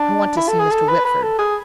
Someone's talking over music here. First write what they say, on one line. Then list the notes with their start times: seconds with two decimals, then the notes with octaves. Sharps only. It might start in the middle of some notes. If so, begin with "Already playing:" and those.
"I want to see Mr. Whitford."
Already playing: D4
0.37 E4
0.49 A4
0.60 G#4
0.71 A4
0.88 B4
1.05 B4
1.23 A4
1.39 G#4